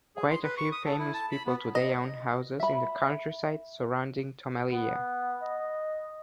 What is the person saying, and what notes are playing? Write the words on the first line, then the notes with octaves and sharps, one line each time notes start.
Quite a few famous people today own houses in the countryside surrounding Tomelilla.
G#4
C6
B4
C#6
D#6
A4
E4
A5
B5
B3
D#5
E5 B5
B3
D#5